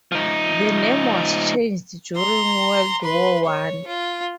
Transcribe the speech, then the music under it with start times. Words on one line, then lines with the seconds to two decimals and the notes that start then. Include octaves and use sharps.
The name was changed during World War One.
0.12 F3 D#4
2.17 A#5 C6
3.02 B4 C6
3.46 C#5
3.87 F4